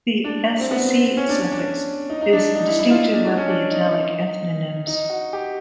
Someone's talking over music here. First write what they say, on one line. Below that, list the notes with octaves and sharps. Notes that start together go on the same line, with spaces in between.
The -sc- suffix is "distinctive of the Italic ethnonyms".
D4
C4
B3
C#4
D4
C#4
D4
D#4
D#4
D4
D#4
E4
E4
F4
D#4
D4
D4
C#4
D4
D#4
D#4
F#4
G4